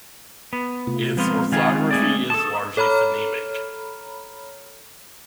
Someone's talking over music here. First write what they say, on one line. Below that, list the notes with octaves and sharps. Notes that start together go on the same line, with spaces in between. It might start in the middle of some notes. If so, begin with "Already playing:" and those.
Its orthography is largely phonemic.
B3
C3 A3 F4
F3 G#3 B3 C4 F4
D#3 F4 G#4
A3 G#4 D5
A4 A5 C#6 D#6
A4 C#5 A#5 B5 F6